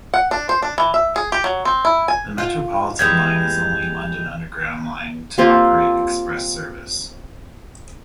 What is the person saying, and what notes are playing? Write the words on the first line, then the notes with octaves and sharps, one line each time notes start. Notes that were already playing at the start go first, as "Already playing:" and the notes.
The Metropolitan line is the only London Underground line to operate express service.
F#5
D4
C5
D4
E3
E5
G#4
G4
F#3
C4
E4
G#5
F4
E3 G3 G#3 G6 G#6 F7
A#3 C4 F4 G4